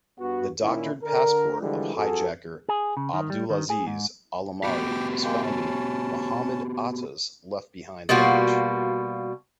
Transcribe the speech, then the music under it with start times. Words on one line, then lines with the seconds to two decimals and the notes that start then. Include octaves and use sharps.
The doctored passport of hijacker Abdulaziz Alomari was found in Mohamed Atta's left-behind luggage.
0.20 G2 B3 F#4
0.60 A#2 D#3 C#4 E4
1.03 D3 A#4
1.61 D3 E3 F3 G3 G#3
1.96 F2 F#4 G#4 A4
2.69 G#4
2.97 C#3
3.14 D#3
3.30 G3
3.50 D#3
3.70 G#4
3.87 G#2
4.64 B3 F#4 G4 G5 D6
5.24 G#3 A#3 G5
5.43 C#4 A5
8.09 B2 G3 A#3 F4 F#4